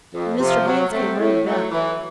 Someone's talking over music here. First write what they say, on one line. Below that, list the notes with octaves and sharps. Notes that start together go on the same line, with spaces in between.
Mr. Haynes came running back.
F2
C3 F3
F#3
A3 C4
A2
F#3 A3
E3